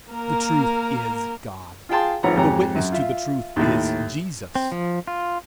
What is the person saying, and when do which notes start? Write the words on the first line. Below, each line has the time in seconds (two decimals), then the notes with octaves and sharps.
The truth is God; the witness to the truth is Jesus.
0.12 A#3 A#4
1.89 F4 G#4 G5 A5 C6
2.23 G#1 F3 B4 C#5 F#5 A#5
2.36 F2 G#2 G4 C#5 G#5 A#5
2.75 F#2
2.92 F4 E5
3.56 D#2 A2
4.55 C4
4.72 F3
5.07 F4